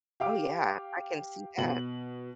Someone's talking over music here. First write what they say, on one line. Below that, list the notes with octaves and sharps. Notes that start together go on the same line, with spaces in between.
Oh, yeah. I can see that.
G4 F5 D6
B2 F#7